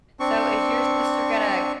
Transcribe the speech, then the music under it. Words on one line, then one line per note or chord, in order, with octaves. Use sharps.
So, is your sister gonna
C4 D4 C#6